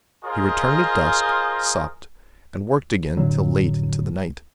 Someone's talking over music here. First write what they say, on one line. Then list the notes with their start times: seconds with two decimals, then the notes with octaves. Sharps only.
He returned at dusk, supped, and worked again till late into the night.
0.24 F4 G#4 A#4 C5 D#5
3.17 F1 A2 D3 F#3